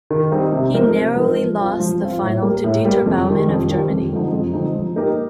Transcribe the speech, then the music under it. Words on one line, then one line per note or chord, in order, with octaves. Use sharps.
He narrowly lost the final to Dieter Baumann of Germany.
D#3
G3 C4 D#4
C3
F3 C4 D#4 A#4
C3
F3 C4 D#4 A#4
F3
C4 F4
F3
C4 F4
A2
G3 A#3
A2
G3 A#3
F2
D#3 G3
F2
D#3 G3
F2
D3 F3 C4 D#4
F2
D3 F3 C4 D#4
F3
A#3 D#4 G4 A#4